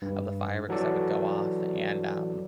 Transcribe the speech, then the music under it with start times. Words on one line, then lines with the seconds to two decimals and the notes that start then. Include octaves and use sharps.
of the fireworks that would go off, and, um
0.02 G2
0.69 E3 F#3 F#4 A4 D5